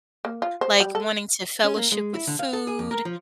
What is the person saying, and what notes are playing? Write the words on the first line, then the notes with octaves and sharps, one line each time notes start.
like, wanting to fellowship with food
A#3
F4
C5
G3
A4
C#4
A#3
G#3
E4
D3
F5
A4
G#4
F2
A#4
F3